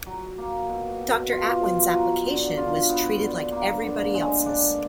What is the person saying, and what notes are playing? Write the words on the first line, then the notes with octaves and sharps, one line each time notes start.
Doctor Atwan's application was treated like everybody else's.
F#3
A#3
B2
B2
F4
F3
F#3
D3
F4
B3
D3
A#3
D3
G#3
D4